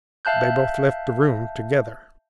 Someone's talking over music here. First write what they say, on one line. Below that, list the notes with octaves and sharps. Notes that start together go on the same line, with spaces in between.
They both left the room together.
E5 F5 A5 F#6 G6